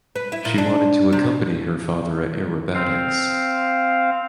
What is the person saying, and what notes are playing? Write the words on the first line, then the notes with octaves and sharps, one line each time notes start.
She wanted to accompany her father at aerobatics.
B4
E4
A#2
D4
C3
C4 F5